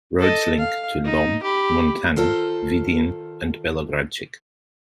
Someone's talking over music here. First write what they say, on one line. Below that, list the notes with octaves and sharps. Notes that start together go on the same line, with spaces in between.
Roads link to Lom, Montana, Vidin and Belogradchik.
A4 D#5
F5
D#4
G4 B5
D#3 F4 A4 C5